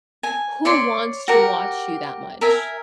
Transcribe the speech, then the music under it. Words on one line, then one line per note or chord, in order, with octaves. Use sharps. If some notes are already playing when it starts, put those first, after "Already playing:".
"Who wants to watch you that much?
G#5
C#5 D5 C6
F#4 G4 A#4
A#4 E5 G#5